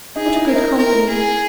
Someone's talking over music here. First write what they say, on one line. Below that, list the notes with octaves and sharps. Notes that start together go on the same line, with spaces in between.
What good company!
D#4 G#4
E4
D#4
E4 A#4
D#4
E4 A#4
G#4